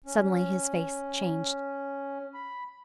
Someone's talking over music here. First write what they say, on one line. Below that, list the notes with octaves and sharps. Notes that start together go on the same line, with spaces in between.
Suddenly his face changed.
C#4
B5